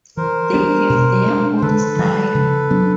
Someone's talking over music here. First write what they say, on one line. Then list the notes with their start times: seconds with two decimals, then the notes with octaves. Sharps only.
They have their own style.
0.17 E3 A#4 C5
0.54 G3 B3 D4
0.89 B2
1.26 G#3 B3 D4
1.57 C5
1.62 D3 A4 B4
1.99 F3 G#3
2.34 C#3
2.70 F#3 B3 D4